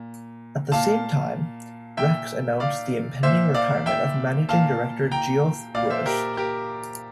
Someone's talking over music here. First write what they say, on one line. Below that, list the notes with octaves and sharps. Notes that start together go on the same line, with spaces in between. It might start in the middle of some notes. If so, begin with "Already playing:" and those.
At the same time, Rex announced the impending retirement of Managing director Geoff Breust.
Already playing: A#2
A#2 F5 A5
A#2 E5 G5
D5 F5
A#2 C5 E5
D5 F5
E5 G5
A#2 F5 A5
G5 A#5
A#2 D5 F5
C5 E5
G4 A#4
G4 A#4